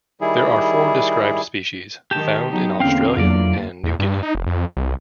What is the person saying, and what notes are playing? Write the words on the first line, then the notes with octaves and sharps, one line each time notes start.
There are four described species found in Australia and New Guinea.
D#3 G3 E4 G#4
D#3 G#3 G4 A5 G6
F#3 B3 D#4
E2 D3 A#3 C4 C#4 F5 G5
F2 F#3 F4 D5
E2
G2
D#4
F1
F2
C2